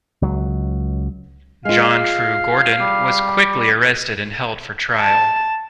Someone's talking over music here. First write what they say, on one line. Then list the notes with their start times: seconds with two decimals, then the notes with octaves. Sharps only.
John True Gordon was quickly arrested and held for trial.
0.22 C#2 F#3
1.65 G#3 F4 F5
2.79 G3 G4
4.99 A5